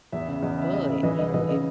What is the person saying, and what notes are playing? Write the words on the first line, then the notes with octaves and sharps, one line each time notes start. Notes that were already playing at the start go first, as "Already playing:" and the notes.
but, you know, if
E2 E5
C#3 E5
E2 D#5
C#3 E5
C#3 D#5
C#3 E5
E3 D#5
C2 D#5
E3 D#5
C#3 D#5